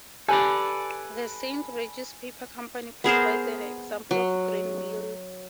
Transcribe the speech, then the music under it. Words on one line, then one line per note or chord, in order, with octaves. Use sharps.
The Saint Regis Paper Company provides an example of greenmail.
G4 A4 B4 D5 G#5
B3 G#4 A#4 C5
F#3